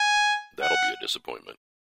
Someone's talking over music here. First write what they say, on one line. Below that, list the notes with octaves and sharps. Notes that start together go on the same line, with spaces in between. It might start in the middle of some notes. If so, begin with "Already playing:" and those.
That'll be a disappointment.
Already playing: G#5
F#5